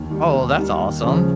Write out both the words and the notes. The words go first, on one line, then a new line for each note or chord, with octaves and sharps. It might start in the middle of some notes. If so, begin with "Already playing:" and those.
Oh, well that's awesome.
Already playing: D#2
D#3 G3
D#2
D#3 G3
D#2
C#3 F3